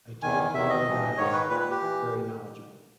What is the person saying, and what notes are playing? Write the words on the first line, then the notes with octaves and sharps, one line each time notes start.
I talked to one of the guides – very knowledgeable.
E2 D#3 G#5
E2 D#3 E5
D#5
G2 E3
G#2 D#3 C#5
B4
A#2 B4
B4
G4
E3